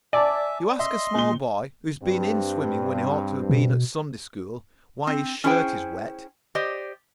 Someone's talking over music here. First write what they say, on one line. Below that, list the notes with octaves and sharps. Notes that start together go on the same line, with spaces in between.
You ask a small boy, who has been in swimming when he ought to have been at Sunday-school, why his shirt is wet.
D5 E5 G#5 A5
D#5 E5 C6
A#2 G7
G2 C4
B2
C4
C#4 D4 E4 G#4 C5 G5
G4 C5 D5 D#5